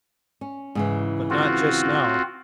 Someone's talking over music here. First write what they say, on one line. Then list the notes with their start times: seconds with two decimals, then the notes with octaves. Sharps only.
But not just now.
0.41 C#4
0.75 G#2 C#3 E3
1.30 C4 F4 F#4